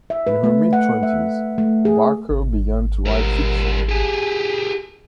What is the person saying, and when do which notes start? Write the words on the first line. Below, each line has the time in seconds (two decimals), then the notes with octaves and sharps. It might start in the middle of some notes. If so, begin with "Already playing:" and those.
In her mid-twenties, Barker began to write fiction.
0.10 E5
0.27 B4
0.44 A3
0.73 F#5
1.03 E5
1.58 A3
1.85 G#4
2.29 G#1
3.06 G3 A#4
3.89 G4 G#4